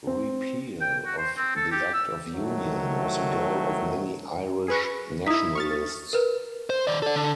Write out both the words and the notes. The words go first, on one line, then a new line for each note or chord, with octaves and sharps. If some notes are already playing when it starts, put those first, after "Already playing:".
Repeal of the Act of Union was a goal of many Irish nationalists.
C4
G5
F#4
C5
C4
A4
G4
E6
C2 D#3 F#3 A3
G#4 B4 C#6
D#4 E4 D#6 B6
C#6 F6 A6
A#4 B4
C5
D#3 D5
A4 D5
D3